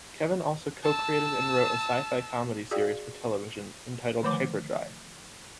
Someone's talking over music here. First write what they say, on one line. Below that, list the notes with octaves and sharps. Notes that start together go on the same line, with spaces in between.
Kevin also co-created and wrote a Sci-Fi comedy series for television entitled "Hyperdrive".
A5 E6
F#4 G#4 D5 F5 G5
D3 D#3 F3 A3 C#5 D6